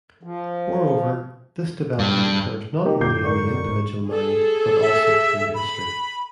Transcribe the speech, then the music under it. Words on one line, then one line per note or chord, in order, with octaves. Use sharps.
Moreover, this development occurs not only in the individual mind, but also through history.
F3
G2
A#3 D#4 G4
F#2 D3 D6 G6 C7
A#4 D5 C#6
G#2
G#4 A4
E5
B5